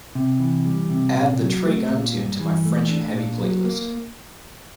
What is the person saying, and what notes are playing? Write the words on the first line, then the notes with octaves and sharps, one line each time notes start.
Add the trey gunn tune to my French N' Heavy playlist.
C3
E3
G3
C3
A#2
F#3
A3
A#2
G2
E3
A3
D4
A#2
F#3
A#3